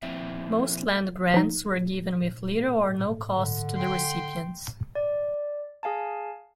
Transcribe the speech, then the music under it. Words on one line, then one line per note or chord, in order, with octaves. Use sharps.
Most land grants were given with little or no cost to the recipients.
A#2 F3 C4 E4 E5
F3 D#4
D3
G5 C6
D5
G#4 F5 G#5 A5